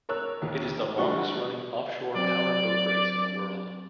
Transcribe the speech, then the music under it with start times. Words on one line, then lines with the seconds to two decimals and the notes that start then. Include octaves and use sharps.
It is the longest-running offshore powerboat race in the world.
0.09 A#4 C#5 E6 F#6
0.42 A#1 D#2
0.98 A#1 G3 D4 F#4 C#6
2.16 F#3 C4 D5